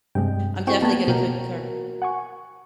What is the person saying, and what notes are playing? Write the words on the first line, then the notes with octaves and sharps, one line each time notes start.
I'm definitely gonna concur
G2 C3 G#3 G5
C4 E4 F#4 G#4 G5 C#6
A#3 B3 A5 G#6
B2 A#3 F#4 A#4 G5
F#5 G#5 C#6